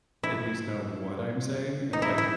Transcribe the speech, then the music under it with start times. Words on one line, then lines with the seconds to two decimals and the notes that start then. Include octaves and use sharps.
at least know what I'm saying and like
0.23 E4
1.93 D#4
2.02 E4
2.18 E4